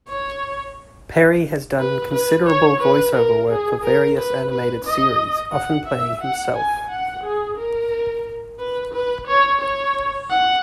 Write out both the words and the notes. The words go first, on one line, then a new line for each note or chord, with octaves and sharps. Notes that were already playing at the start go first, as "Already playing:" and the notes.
Perry has done considerable voice-over work for various animated series, often playing himself.
C#5
B4
B4
C#5
B4
A#4
G#4
A#4
B4
B4
D#5
F#5
E5
F#5
G#5
F#5
G#4
A#4
B4
B4
C#5
C#5
F#5